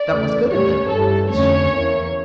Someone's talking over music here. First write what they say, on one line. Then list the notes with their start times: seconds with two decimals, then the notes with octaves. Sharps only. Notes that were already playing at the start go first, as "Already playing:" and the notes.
'That was good of them,' says she.
Already playing: D5
0.10 E2 C#3 E3 A3
0.50 A2 G3 C#4 C#5
0.90 G2 E3 G3 A4
1.30 F2 D3 A3 C#4 C#5
1.71 E2 E3 A#3 C#4